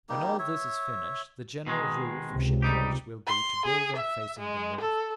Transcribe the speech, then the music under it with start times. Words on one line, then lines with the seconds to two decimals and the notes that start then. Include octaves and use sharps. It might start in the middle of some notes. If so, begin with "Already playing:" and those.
When all this is finished, the general rule for shipyards will be to build them facing the north.
0.09 G3 A#3 D#4 G4
0.39 C#5 E5
1.67 B2 D#3 G#3
2.31 C#2 C3
2.62 G3 D#4 G4
3.27 C6
3.65 G#4
3.96 E5
4.39 G#3
4.81 A4